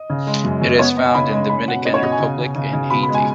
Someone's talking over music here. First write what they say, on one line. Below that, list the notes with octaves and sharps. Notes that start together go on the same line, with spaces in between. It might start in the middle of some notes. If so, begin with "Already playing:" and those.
It is found in Dominican Republic and Haiti.
Already playing: D#5
C#3
G#3
F#2
F#2
B3 C#5
B3 D#5
G#5
C#3 B5
G#3
C#4 B5
B2 F#5
C#4 D#5
C#5
B2 D#5
G#5
C#3
C#3
C#3
C#3
B2 B5
B5
G#3
G#5